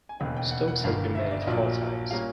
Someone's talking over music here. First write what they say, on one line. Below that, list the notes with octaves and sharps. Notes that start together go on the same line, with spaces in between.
Stokes has been married four times.
G#5
E1 D#2 C#3 G5
G5
F#5
F#5
G1 G2 D#3 F5
E5
D5
D#5
A#1 A#2 F#3 A#3 D5
A#2 G3 A#3 C#4 F5